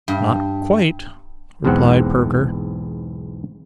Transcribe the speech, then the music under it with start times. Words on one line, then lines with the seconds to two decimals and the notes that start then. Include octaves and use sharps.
'Not quite,' replied Perker.
0.08 G2
1.65 B1 E2 G#2 C4 F#5